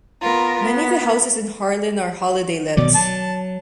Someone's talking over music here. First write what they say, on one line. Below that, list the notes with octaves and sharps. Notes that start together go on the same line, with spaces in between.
Many of the houses in Harlyn are holiday lets.
B3 F4 A#4
B3
B2 D#3 F#3 D5
F#3 A5